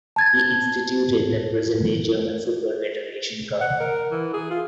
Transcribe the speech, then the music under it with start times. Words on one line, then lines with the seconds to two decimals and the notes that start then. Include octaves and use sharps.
He instituted the present-day German Football-Federation Cup.
0.16 A5 G#6 A6
3.61 F#5
3.80 A#4
4.11 E3
4.34 G#4
4.50 F4